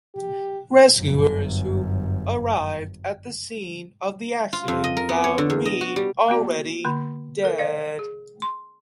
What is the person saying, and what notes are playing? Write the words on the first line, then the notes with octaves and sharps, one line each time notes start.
Rescuers who arrived at the scene of the accident found Reed already dead.
G4
G1 F#2
F4
F2
D#5
A#4
B3
C#5
D3
E2
D#5
F#4
G3
A#3 B3 F#4 D5
D3 A#3 B5
A4 A#4
C5 D5 F5
G#4
C6